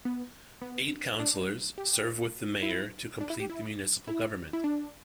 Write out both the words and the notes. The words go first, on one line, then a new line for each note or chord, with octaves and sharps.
Eight councillors serve with the mayor to complete the municipal government.
B3
B3
D4
G4
E4
D4
E4
G4
E4
E4
E4
D4